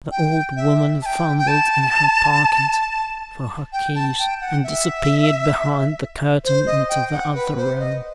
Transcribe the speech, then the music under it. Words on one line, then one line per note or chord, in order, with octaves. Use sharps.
The old woman fumbled in her pocket for her keys, and disappeared behind the curtain into the other room.
G5
E5
A5
G5
G5
A5
G5
A5
G5
F#5
E5
C5
D#5
G5
F#5
B4
C5
D#5